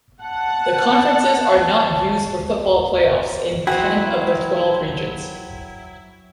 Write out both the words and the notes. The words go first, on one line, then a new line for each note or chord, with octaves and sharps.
The conferences are not used for football playoffs in ten of the twelve regions.
F#5 A5
F#3 E4 F#4 G#4 C5 G5